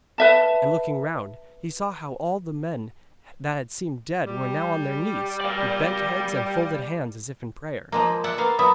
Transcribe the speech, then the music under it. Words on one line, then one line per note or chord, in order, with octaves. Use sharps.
And looking round, he saw how all the men that had seemed dead were now on their knees, with bent heads and folded hands as if in prayer.
B4 E5 A5
G3
D5 F5
F3 G#3 A#3
D5 E5 F#5
A#3 B3 F5
F#3 B3 E5 B5 D#6